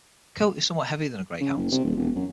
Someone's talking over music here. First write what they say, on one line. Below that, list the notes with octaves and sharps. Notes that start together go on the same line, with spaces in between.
The coat is somewhat heavier than a Greyhound's.
C#3
F#1
C3
D#1
E1
F#2